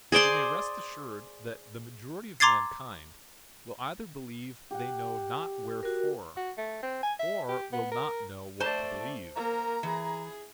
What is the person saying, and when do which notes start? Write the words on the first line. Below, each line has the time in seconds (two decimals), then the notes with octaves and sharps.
We may rest assured that the majority of mankind will either believe they know not wherefore, or will not know what to believe.
0.12 G#4 C5 D5 C6
2.40 A#5 C6 D6 G#6 A6 C7
4.71 G4 F#5
5.83 F#4 A#4
6.37 F#4
6.57 A3
6.82 C4
7.03 G#5
7.19 E5
7.49 G4
7.73 B3
7.92 A#4
8.60 A3 C5 D5 A5
9.35 A#3 A#4 A#5
9.83 E3 G#4